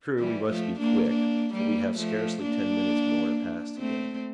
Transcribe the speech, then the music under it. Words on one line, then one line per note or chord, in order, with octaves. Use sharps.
"True, we must be quick, for we have scarcely ten minutes more to pass together."
E3 G3
F3 A3
A#3 D4
A#3 D4
G3 A#3
F3 A3
A#3 D4
A3 C4